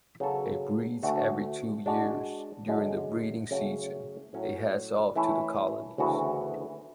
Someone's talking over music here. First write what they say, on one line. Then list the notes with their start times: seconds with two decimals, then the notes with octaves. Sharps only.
It breeds every two years. During the breeding season it heads off to the colonies.
0.20 C#3 F#3 B3 F#4 A4
1.02 D2 D3 A3 D4 F#4
1.86 G#3 D4 F#4
2.67 F#2 D3 G#3
3.51 F#2 C#3 F#3 A3 C#4
4.33 A2 F#3 C#4
5.16 E3 A3 C#4 E4
5.98 D2 C#3 E3 B3 F#4